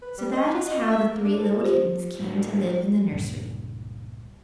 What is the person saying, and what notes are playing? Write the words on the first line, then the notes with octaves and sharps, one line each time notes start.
So that is how the three little kittens came to live in the nursery.
B4
G3
D#5
F#4
D#5
F4
E5
A#3
D4
A4
F4 G4 C5
A2 F#3
C#2 G2 A#2